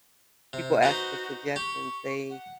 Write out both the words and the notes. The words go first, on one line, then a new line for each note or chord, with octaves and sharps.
people ask for suggestions, they
C3
D#4 F#4 B4 C5
G4 C#6
F#5